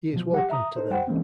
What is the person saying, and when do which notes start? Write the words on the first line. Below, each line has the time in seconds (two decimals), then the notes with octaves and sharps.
He is welcome to them.
0.12 B2 F3
0.33 G3 G4 F#5
0.50 E5 A#5 D#6
0.76 D#4 A4 C5
0.91 F2 G3 C5 F#5 G5
1.07 E3 G#3 A#3 C4 C#4